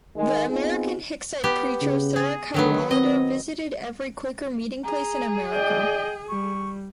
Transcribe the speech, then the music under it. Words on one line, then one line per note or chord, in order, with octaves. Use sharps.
The American Hicksite preacher Sarah Cadwallader visited every Quaker meeting place in America.
D#3 G#3
B3 C4 D#4 F4 G#4
B3 G4
C#3
G#4
D3 D#3 F#3 B3
C4 D#5
G#4 A#5
D5 D#5 G5
G3 C#6